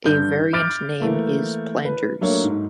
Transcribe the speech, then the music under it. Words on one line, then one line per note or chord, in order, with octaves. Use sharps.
A variant name is "Planters".
G2 D3 G6
D6 F6 G6 A6 D7
E3 A3 A#3
B4
F#3 A3 A#3 D4 C#5
G#2